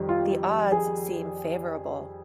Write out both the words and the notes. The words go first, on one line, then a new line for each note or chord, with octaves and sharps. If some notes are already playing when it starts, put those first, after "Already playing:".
The odds seem favourable.
Already playing: F2 D#3 G3
F4
G#4